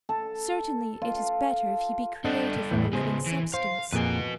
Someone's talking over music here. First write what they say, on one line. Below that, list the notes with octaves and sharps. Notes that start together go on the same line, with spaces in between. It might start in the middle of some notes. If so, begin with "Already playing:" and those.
Certainly it is better if he be created from a living substance.
A4
F4
G3 D4 A4 D#5 F#5
E2 A2 E3
C#3 B3 G#4 C5
E3
C5 F5
F2 A#2 F#4 G#4 B4